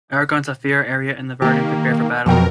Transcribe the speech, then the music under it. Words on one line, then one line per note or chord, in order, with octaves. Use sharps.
Eragon, Saphira, Arya, and the Varden prepare for battle.
D#3 A#3 G4
F2 B2 F3 F#3 A#4 G5